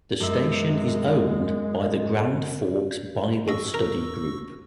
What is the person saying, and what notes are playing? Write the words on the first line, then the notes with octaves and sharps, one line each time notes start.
The station is owned by the Grand Forks Bible Study Group.
F#2 G#3 E5
G2 D#5 C#6 E6 A#6
A#4